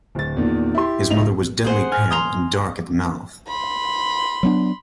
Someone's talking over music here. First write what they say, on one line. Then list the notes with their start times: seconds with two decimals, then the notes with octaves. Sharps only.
His mother was deadly pale and dark at the mouth.
0.15 D1 A6
0.37 E2 A#2 D#3
0.75 E4 G4 C6
1.10 C#2 D#4 E4 F7
1.65 G#4 C5 F#5
1.92 G#5 F6 F#6
2.11 A#5 C6 D#6
3.48 B5 C6
4.43 F#3 B3 D4